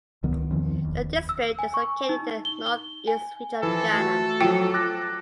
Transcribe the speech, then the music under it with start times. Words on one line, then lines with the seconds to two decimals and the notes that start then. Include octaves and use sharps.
The district is located in the North East Region of Ghana.
0.23 C#2 D#3 E3 B3
0.51 E2 D#3 F3 C4
0.84 F1 D#2
1.29 E6
1.59 G#5
1.74 C#6
2.09 D#4
2.45 G7
2.66 G7
3.08 G#5
3.63 E3 F3 A4
3.94 A3 F4 F#4
4.40 F3 F#3 F4 G5
4.74 D6 F#6 A#6